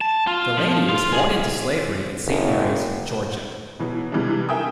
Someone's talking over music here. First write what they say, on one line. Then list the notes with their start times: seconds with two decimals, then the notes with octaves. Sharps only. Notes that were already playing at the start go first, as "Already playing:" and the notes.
Delany was born into slavery in Saint Mary's, Georgia.
0.01 A5
0.27 F4
0.57 F3
0.89 F4
1.13 G#4
2.26 F#1
3.79 B2 E3 F#3
4.12 C3 E3 G3 G#3 D4
4.49 A#4 E5 G5 G#5 D#6